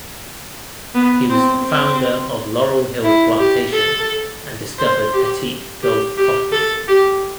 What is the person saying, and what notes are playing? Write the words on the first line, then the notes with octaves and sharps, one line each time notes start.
He was the founder of Laurel Hill Plantation and discovered Petit Gulf cotton.
B3
C4
C4
E4
G4
A4
C5
G4
G4
G4
A4
G4